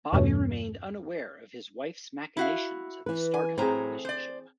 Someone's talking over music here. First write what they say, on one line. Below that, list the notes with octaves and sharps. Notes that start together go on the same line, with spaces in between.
Bobby remained unaware of his wife's machinations at the start of their relationship.
E2 G2 B2 A3 C#4
E4 F#4 F5
E3 B4
G#5
A2 F#3 C4 G#4 A#5
C5 D5